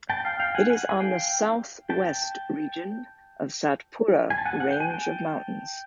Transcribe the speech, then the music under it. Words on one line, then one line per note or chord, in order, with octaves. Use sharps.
It is on the southwest region of 'Satpura Range of Mountains'.
G5 A5
F5 G5
F5 G5
F#5 G#5
F#5 G#5
G#5
F5 G5
G5 A5
G#5
A5
F#5 G#5
F#5
G5
G#5
G5 A5